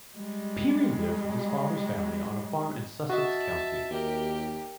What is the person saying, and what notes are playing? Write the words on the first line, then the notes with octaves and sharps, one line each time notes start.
Peery lived with his father's family on a farm in Sussex County.
G3 G#3
F#4 D#5 E5 A5
D#2 G4 A#4